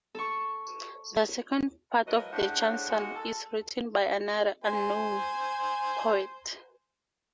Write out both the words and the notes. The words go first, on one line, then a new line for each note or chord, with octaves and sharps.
The second part of the "Chanson" is written by another, unknown, poet.
A4 C#6
A2 F3 F#3 A#4 B4 D#5
A2 G#3 C#4 D4 C5 F#5
G#3 A#3 D#4 F#4
A4
C5 G#5